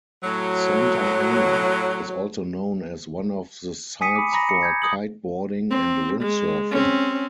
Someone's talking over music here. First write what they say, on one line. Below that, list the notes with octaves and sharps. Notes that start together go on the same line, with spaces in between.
Santa Ana is also known as one of the sites for Kiteboarding and Windsurfing.
A2 F#3
G#5 D#6 B6 C#7 D#7
B5 D6
A#5 B5 A#6
C#7
G6 G#6
D#6 F#7
C4
G#3
C4 C#4